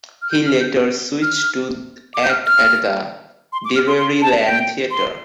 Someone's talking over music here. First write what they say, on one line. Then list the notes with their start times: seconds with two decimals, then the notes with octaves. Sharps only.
He later switched to act at the Drury Lane Theatre.
0.22 F6
0.30 G6
0.46 F6
0.60 G6
1.22 F6
2.14 D6
2.24 G6
2.30 F6
2.46 F6
3.52 C6
3.65 D6
3.76 F6
3.87 C6
3.99 C6
4.22 A5
4.45 G5
4.91 C6